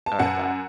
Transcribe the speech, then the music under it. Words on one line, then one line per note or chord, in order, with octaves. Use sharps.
Alright, bye.
A5
F#2 F#5